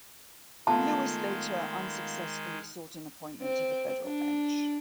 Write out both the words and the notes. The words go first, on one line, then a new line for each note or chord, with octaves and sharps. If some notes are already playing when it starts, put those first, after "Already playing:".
Lewis later unsuccessfully sought an appointment to the federal bench.
D#3 G#3 A3 B3 F4 A5
C4
D4